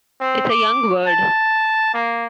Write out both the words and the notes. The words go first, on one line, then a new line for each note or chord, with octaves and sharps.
It's a young word.
C4
D6
A5
A#3